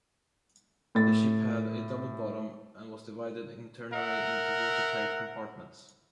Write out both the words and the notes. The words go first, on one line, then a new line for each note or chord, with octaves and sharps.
The ship had a double bottom, and was divided internally into watertight compartments.
A2 A6
A#4 E5 F#5